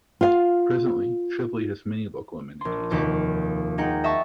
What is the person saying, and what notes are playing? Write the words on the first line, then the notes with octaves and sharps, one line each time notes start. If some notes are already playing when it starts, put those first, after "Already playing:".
Presently, Cheveley has many local amenities.
F4 F5
A#1 C6
F1 D#2 F3 F#4 B6
G#3 D#4 F#5 G5
D#5 E5 A5 C#6